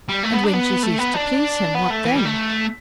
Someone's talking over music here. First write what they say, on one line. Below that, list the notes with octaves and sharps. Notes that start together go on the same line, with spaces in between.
And when she ceased to please him, what then?
G3
A3
B3
D4
B3
A3
B3
D4
B3
A3
E3
G3
A3